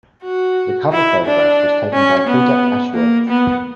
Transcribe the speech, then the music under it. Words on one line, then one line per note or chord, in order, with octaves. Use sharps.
The cover photograph was taken by Peter Ashworth.
F#4
E4
D4
C#4
B3
A#3
B3